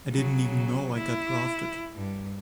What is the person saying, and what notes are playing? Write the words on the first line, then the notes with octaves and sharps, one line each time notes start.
I didn't even know I got drafted.
C#3 F#3
E4
G2